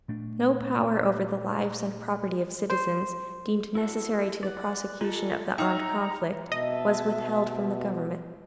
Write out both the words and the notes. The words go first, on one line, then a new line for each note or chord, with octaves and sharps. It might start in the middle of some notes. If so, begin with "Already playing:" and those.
No power over the lives and property of citizens, deemed necessary to the prosecution of the armed conflict, was withheld from the government.
A#2 A3 D4
C5
E4 F#4 A4
D5 F#5
G#3 F4 A4
D#4 E5 G5 A#5 F6
B2 D#5 E5 A5